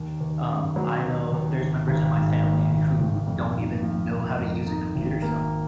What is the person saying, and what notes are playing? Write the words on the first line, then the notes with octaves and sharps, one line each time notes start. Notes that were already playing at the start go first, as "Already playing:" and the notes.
um, I know, there's members in my family who don't even know how to use a computer still,
Already playing: D#2
D#2
C#3
F#3
D#2
D#2
G#1
G#1
G#2
D#3
G#1
G#1
F2
D#4
F3
A#3
F2
D#4
G#1
A#3